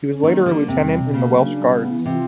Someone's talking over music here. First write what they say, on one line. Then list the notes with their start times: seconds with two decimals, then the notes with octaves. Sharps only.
He was later a Lieutenant in the Welsh Guards.
0.08 C#4
0.23 D#3 A#3
0.38 G3
0.46 D3
0.54 A#3
0.68 E2 C3
0.84 G3
0.99 B2
1.14 C#3 A#3
1.30 F#3
1.45 D4
1.60 G3
1.75 B3
1.90 E3
2.05 C3 F4